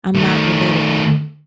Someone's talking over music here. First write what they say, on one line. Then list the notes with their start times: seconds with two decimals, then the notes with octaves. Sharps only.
I'm not relatable.
0.15 D#3 A3